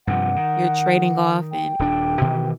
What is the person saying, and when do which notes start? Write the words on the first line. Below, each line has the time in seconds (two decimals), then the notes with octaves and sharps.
you're trading off and
0.07 G2 C3 F3 F#5
0.36 D#3
1.52 G5
1.79 D#1 D4
2.21 B2 D#3 E3